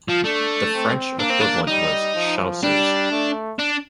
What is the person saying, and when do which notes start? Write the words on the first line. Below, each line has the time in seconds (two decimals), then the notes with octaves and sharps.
The French equivalent was "chausses".
0.08 F3
0.24 A3 D4
0.73 C4
1.20 A#3 D4
1.30 C4
1.41 D4
1.68 G3 D#4
2.15 F3
2.63 G3 D4
3.11 A3
3.59 D4